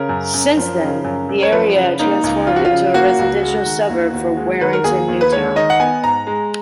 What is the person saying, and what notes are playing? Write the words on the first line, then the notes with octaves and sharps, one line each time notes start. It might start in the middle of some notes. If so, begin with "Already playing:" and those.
Since then, the area transformed into a residential suburb for Warrington New Town.
Already playing: C#3 A#4
F#2
F#2
F3
C#3
F#2
F#2
C#5
F3 B4
C#3
A#3 D#4
C#2
F3 F4
F#4
F4
C#3
A#3 F#4
C#2
G#3
D#3
D#2
D#2
G#3
D#3 B4
A#4
D#2 G#4
D#2
B4
G#3 C#5
D#3 D#5
F#5
B3 G#5
G#2 A#5
G#3